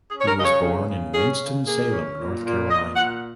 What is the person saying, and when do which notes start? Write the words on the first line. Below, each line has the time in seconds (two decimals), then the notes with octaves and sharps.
He was born in Winston-Salem, North Carolina.
0.10 C#4 G#4
0.21 C#5
0.28 A#4
0.37 C#3 D#5
0.45 C#5
0.62 C#3
0.88 C#3
1.14 C#4 G#4
1.40 C#3
1.66 A#3 G#4
1.92 C#4
2.18 A#2
2.44 A#2
2.70 A#2 D#5
2.95 A#2 F#5